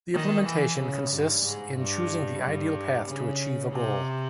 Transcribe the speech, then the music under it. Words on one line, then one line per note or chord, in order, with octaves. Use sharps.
The implementation consists in choosing the ideal path to achieve a goal.
D#3
E3
C#3
G2
G#2
G2
G2
C#3
C3